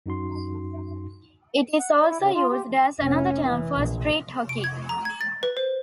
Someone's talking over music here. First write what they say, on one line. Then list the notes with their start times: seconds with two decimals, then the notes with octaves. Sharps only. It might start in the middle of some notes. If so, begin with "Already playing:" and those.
It is also used as another term for street hockey.
0.06 F#2 D#4 F#4 C6
1.79 F#5
1.94 D5
2.09 E4
2.21 C#3
2.35 F4
2.51 G4
3.01 F1 C#4
3.47 E3
3.76 A#1
4.49 D7
4.64 G#6
4.89 A#5
5.05 G#6
5.21 A6
5.43 B4
5.57 C5